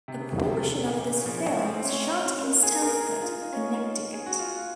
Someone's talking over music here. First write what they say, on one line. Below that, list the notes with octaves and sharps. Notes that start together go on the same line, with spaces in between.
A portion of this film was shot in Stamford, Connecticut.
C3
C#3
C3
C#3
C3
A#2
C#3
F3
C#4
C4
C4
C#4
D#4
C4
A#3
G#4
A#4
G#4
F4
D#4
C#4
D#4
G#4
F#4
F4